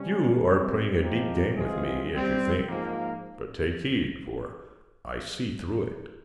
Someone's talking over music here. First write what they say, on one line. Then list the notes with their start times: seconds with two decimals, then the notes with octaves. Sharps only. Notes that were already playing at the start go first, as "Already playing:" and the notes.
"You are playing a deep game with me, as you think; but take heed, for I see through it."
Already playing: C3 G3 C#4
0.43 C3 G3 C4
0.99 F3 G#3 C4 G4 A#4
1.55 E3 G#3 C4 F4 G#4
2.11 C3 G3 C4 G4
2.68 G#2 F3 A#3